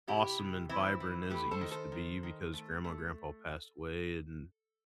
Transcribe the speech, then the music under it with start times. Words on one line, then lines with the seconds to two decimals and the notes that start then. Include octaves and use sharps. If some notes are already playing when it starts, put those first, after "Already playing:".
awesome and vibrant as it used to be, because grandma and grandpa passed away and,
0.07 C3 E4 G4
0.39 C3
0.69 E3 C4 E4
1.00 E3
1.30 A3 G4 B4
1.51 A4 C5
1.61 D#3
1.71 A4 C5
1.92 D#3
2.23 D#3
2.53 A3
2.84 A3